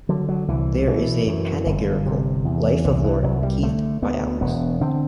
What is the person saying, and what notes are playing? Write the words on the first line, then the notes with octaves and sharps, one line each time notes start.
There is a panegyrical "Life of Lord Keith" by Alex.
D3 F#3
F#3
C2 E3
B2 E3
F#2
G1
C3
E2
C2 D3
E3
C2 F#3
G3
D3 A3
D2 B3
E1 B3
D3 C4